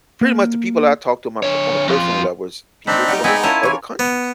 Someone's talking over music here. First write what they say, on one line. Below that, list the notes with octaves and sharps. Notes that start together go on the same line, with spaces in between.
pretty much the people I talk to my per on a personal level is people from other countries
A#3
D3 C#5
F2 F4
A3 C4 D4 D#4 C5 B5
F#3 G3 G4
G#3 B3 C4 G#4 D5 E5 G5 G#5
C#4 E4 F4 A#4 G#5 A5
E3 C#5
B3